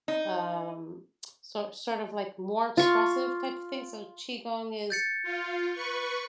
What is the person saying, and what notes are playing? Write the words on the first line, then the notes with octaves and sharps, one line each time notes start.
um, sor sort of, like, more expressive type of thing. So qigong is,
D#4
F4 C#6
G6 A6 C#7
F4
B4 C#6